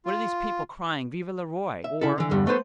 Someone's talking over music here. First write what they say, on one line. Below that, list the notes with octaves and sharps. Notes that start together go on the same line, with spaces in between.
What are these people crying 'Vive le Roi!' for?
F4
E5
C#3 E4 A4
D3 E3
E2 G2 D3 G3
A3 B3 B4 C5